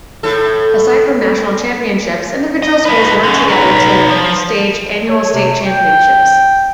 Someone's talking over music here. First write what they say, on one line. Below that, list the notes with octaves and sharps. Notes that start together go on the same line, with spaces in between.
Aside from national championships, individual schools worked together to stage annual state championships.
A2 A4
D#5
F4 B4
D3 C#4
D#4 B4
F3
C#5
C3
G5